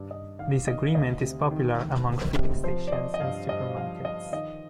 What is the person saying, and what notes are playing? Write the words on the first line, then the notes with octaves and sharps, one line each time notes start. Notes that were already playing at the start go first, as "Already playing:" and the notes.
This agreement is popular among filling stations and supermarkets.
Already playing: G2 D#3 D5
G2 D#5
D#3 F5
D#3 D#5
D2 D#5
C3
D#3
D2
D2
C3
F3 C5
D5
F3 D#5
D#5
G2 F5
G2 D#5
F3 F5
F3 D#5
D#3 D#5